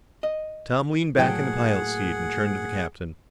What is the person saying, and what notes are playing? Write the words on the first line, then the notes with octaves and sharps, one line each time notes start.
Tom leaned back in the pilot's seat and turned to the captain.
D#5
A2 E3 F#3 A#3 G#4 F#5 G5